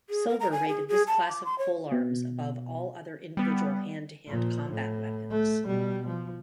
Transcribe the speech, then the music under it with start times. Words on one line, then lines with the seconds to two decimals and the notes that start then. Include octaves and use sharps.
Silver rated this class of polearms above all other individual hand-to-hand combat weapons.
0.10 G#4
0.28 A#4
0.40 A#5
0.52 G#5
0.68 G#4
0.88 G#4
1.07 A5
1.29 D6
1.45 C6
1.58 C#5
1.92 B2
3.37 G3 B3
4.27 A#2 F3
4.71 A2
5.31 A3
5.65 B2 G3
6.08 F3